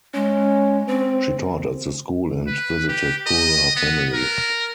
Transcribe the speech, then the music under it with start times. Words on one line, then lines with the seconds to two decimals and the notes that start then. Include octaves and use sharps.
She taught at the school and visited poorer families.
0.14 G#3 C#4
0.88 C4 C5
2.47 B4
2.89 G4
3.26 D#5
3.76 B3
4.13 A#4